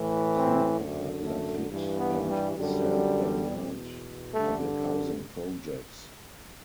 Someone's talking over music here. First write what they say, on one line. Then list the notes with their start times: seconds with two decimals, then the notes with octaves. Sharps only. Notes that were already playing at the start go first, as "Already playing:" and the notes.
Cooper, Lafitte and Saint Bernard public housing projects.
Already playing: A2 E3
0.36 C4
0.80 F#2 D3
1.24 A3
1.69 G2 E3
1.98 B3
2.28 G3
2.57 F#2 D3 G3
3.46 E2 B2
4.34 G2 D3 A3